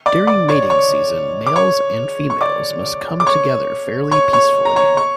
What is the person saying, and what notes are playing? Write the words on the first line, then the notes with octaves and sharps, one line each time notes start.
During mating season, males and females must come together fairly peacefully.
D5 D6
D5 D6
C#5 C#6
C#5 C#6
D6
C#5 C#6
C#6
D5 D6
D6
C#5 C#6
C#5 C#6
C#5 C#6
A#5
C#5 C#6
C#5 C#6